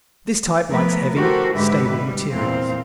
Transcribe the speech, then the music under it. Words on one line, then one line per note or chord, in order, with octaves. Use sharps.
This type likes heavy, stable materials.
F3 A3 B3 A#4 B4
F#4 G4 A4 A#4 C5
G#2 D3 G#3 G4 B4 E5
G3
E2 A#2 E3 C4 C5 F5